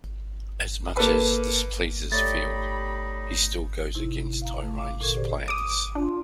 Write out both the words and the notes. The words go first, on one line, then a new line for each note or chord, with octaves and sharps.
As much as this pleases Field, he still goes against Tyronne's plans.
A#3 A4 B4
A3 D#4 G4 C#5 D5 B5 A6
A2 C3 D#4 E4
F5 A#5
A3
F5 D6
A#2 D3 A4 A#4 C#6 G#6
G4 G#4 C5 D5
D6 D#6
D4 F4